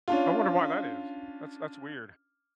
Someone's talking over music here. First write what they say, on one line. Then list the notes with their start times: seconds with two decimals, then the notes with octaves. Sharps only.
I wonder why that is. That's that's weird.
0.08 C#4 D4 F4